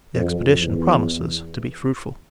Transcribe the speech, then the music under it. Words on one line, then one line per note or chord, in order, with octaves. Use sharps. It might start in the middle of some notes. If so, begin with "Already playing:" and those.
The expedition promises to be fruitful.
F2
E2